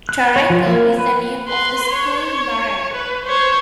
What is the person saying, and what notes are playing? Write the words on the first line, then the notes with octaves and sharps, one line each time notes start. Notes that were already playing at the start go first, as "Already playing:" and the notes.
Taraika is the name of the school Marae.
F#6
C#5
F3
A#3
B4
B4 C6
C#5
B4
C5 C#5